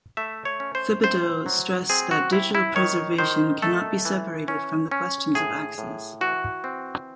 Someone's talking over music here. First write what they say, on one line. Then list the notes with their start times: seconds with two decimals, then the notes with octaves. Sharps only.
Thibodeau stressed that digital preservation cannot be separated from the questions of access.
0.17 A3 E5
0.45 C#5
0.60 C#4
0.75 C5
1.03 A2 C5
1.46 F#3
1.90 C4 G#4
2.11 F#4
2.33 C3 E4
2.55 E4
2.76 D#3 C#5
3.18 D#3 C5
3.62 A3 A4
4.05 E3
4.48 C#4
4.91 C#4
5.35 A2 G#4
5.78 A2
6.21 E3 F#4
6.64 C4